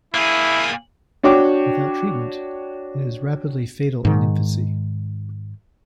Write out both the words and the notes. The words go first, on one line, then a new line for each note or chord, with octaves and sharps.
Without treatment, it is rapidly fatal in infancy.
A#3 E4 G#4
D4 F#4 C#5 G5 D6
G#2 D#3